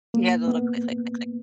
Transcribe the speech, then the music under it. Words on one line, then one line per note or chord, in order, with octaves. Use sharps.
Yeah, the little click, click, click, click.
A#3
B3